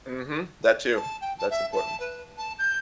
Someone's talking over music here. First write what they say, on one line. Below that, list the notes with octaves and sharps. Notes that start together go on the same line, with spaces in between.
Mhm. That too. That's important.
A5
G5
A5
E5
A5
B4
A5
G6